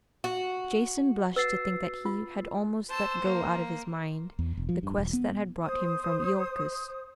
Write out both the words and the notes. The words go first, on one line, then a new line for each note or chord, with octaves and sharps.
Jason blushed to think that he had almost let go out of his mind the quest that had brought him from Iolcus.
F#4
B4 E6 A6 C7
F4
C5 A5 E6
A#3
E2
E1
F3
G2
E1
B3
C5 D#6